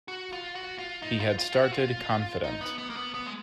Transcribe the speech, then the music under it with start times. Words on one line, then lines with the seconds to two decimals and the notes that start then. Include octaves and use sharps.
He had started confident.
0.08 F#4
0.33 F4
0.55 F#4
0.78 F4
1.02 D#4
1.20 F4
1.38 F4
1.55 F#4
1.72 F4
2.44 D#4
2.61 B3
2.78 B3
2.90 A#3
2.96 B3
3.14 B3
3.27 G#3